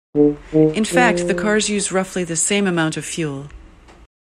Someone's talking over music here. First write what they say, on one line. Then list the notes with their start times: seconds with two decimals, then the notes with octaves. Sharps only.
In fact the cars use roughly the same amount of fuel.
0.15 D3
0.54 D#3
0.93 F3